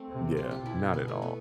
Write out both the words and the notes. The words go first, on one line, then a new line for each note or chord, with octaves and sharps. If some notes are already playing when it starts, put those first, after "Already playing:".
Yeah, not at all.
Already playing: A3 C4
C3
F4
G4
B2 E4
B3
A3
B3